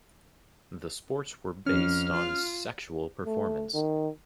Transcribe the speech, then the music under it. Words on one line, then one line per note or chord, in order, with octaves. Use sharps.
The sports were based on sexual performance.
F2 C#4 F6
F4
A3
D#3